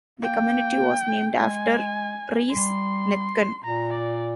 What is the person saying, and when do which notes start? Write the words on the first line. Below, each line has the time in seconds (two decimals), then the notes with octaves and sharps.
The community was named after Reese Nethken.
0.22 A#3 G5
1.35 G#3 G#5
2.50 G3 C6
3.64 A#2 A#5
3.93 D5